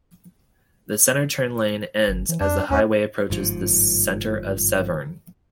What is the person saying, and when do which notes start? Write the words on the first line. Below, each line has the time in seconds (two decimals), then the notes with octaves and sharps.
The center turn lane ends as the highway approaches the center of Severn.
2.08 G1
2.29 E3
2.40 F2 D4
2.70 D#2 C#4
3.30 G1 G#2 F3